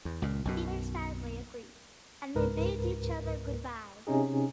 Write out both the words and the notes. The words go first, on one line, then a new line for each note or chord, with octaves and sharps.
Peter sadly agrees, and they bid each other goodbye.
E2
C#2 A#2
B1 F#2 B2
C#2 G#2 A#4 B4
C3 C#4 D#4 G#4